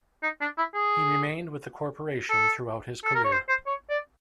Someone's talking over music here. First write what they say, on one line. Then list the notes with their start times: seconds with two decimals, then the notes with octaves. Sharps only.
He remained with the corporation throughout his career.
0.23 D#4
0.41 D4
0.58 E4
0.74 G#4
2.30 A4
3.05 A4
3.15 A#4
3.25 C#5
3.32 C5
3.49 C5
3.67 C#5
3.90 D5